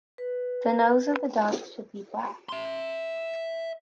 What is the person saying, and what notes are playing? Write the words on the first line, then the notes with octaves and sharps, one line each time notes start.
The nose of the dog should be black.
B4
E5 C6